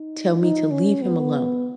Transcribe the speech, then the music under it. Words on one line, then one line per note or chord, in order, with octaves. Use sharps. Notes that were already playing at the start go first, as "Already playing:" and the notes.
tell me to leave him alone?
Already playing: D#4
D#4
C#4
B3